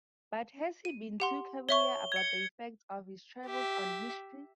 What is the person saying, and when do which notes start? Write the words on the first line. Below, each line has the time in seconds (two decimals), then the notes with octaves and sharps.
But has he been too cavalier about the effects of his travels on history?
0.85 D#7
1.20 G4 F#5 C6
1.69 C#5 E5 C#6 G7
2.12 G#6 C#7
3.46 G4 E5